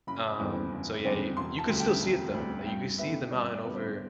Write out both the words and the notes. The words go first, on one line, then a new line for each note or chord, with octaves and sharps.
Um, so yeah, you, you could still see it though, like, you could see the mountain over
F#1 B5
E2 D3 G3 C4
F#1
E2 D3 G3 C4
E1 C6
A5
D2 D3 G3
G5
E1
D2 D3 G3
G2 G5
D3 G3 B3 E5
G2 D5
D5
D3 G3 B3
C5